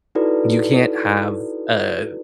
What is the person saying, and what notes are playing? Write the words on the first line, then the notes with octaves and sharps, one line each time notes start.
You can't have a
D#4 E4 F#4 A4 B4 D5